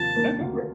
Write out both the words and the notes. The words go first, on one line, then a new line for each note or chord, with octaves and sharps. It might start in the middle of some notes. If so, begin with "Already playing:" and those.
No, go for it.
Already playing: D#2 C3 F3 A5
A#3
D2